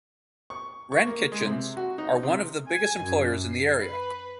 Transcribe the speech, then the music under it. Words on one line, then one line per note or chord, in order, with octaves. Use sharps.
Wren Kitchens are one of the biggest employers in the area.
C#6
C#6
A#3
G#3
C3
F#4
D#4
C3
G#5
F#2
C7
B4